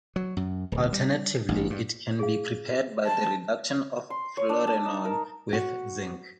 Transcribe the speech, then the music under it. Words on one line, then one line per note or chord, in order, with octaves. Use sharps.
Alternatively, it can be prepared by the reduction of fluorenone with zinc.
F#3
F#2
D1
G3
A1
G2
G#4 F5
A5
C6
C#5
D4
A5
D#4
A#4
F#4